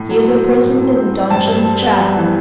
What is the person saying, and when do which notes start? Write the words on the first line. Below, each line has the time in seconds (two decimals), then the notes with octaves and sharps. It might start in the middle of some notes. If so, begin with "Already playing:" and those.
He is imprisoned in the dungeon of Chatham.
Already playing: A2
0.10 F#3
0.27 C4
0.45 F#3
0.62 A2
0.78 A2
0.96 C4
1.14 C4
1.30 G2 A5
1.48 G2
1.65 G3
1.82 B3
2.00 G3
2.17 E3